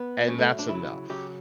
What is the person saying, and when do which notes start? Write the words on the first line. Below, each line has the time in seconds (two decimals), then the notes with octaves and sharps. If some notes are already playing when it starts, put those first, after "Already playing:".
and that's enough.
Already playing: B3
0.27 A2 F#3 C#4
0.39 A3
0.59 D4
0.68 C#3 F#3 E4
1.10 C#3 F#3 G4